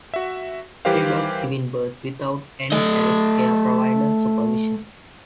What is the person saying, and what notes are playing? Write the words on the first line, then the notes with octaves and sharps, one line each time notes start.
Freebirth: Giving birth without any health care provider supervision.
F#4 E5
E3 G3 G4 A#4 C5 F5
A3 D#5